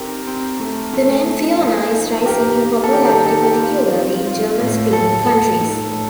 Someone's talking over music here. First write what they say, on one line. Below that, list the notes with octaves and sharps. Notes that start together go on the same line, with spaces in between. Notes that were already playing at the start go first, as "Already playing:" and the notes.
The name "Fiona" is rising in popularity particularly in German-speaking countries.
Already playing: C4 D#4 G4 A#4
C4
A3
A3
A3
F3
D#4
A#3 G4 A#4
A#3
A4
D#3 G4
A4
D#4 A4
G4
F4
C4
F4
A2
A2 A4
A2 A4
D#4
A2